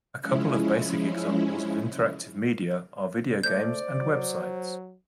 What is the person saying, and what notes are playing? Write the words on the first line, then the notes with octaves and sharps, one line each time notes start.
A couple of basic examples of interactive media are video games and websites.
F3 G#3 C#4 E4
A3 C5 D5 G6
F#3